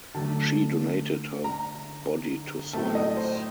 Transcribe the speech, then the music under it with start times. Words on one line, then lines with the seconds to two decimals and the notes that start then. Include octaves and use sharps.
She donated her body to science.
0.15 D3 F#3 A3 D4 A5
1.44 A#5
2.73 A2 F#3 A3 C4 A5
2.95 D#5
3.17 C5